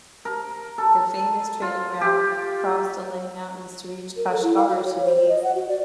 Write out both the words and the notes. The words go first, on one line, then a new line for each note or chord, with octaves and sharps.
The famous trading route crossed Alay Mountains to reach Kashgar to the east.
A#4
A4
F4
G4
A#4
A4
E4
F5
F#4
C#5
C5
C5
D#5
F#5
F#4
D5